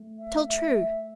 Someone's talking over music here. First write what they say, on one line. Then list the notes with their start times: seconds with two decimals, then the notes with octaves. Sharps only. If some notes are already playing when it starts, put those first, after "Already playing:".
Tell true.'
Already playing: A3
0.18 E5
0.45 E5
0.74 E5